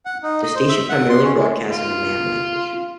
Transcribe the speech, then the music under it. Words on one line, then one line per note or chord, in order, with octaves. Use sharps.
The station primarily broadcasts in the Mam language.
F#5
D#4
D#5
C5
E5
F#5
C6
C#4
G#3
F4